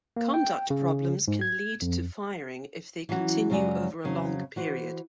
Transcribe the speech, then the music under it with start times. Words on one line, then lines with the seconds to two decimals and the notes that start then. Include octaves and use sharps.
Conduct problems can lead to firing if they continue over a long period.
0.17 A#3
0.34 G5
0.70 C#3
1.28 G#2
1.41 G#6
1.82 F2
3.09 E3 F#3 C#4 F#4
3.50 F#2 C#3 F#3 G#3 D5 G#5
4.04 F2 C#3 F#3
4.56 E3 F#4 C5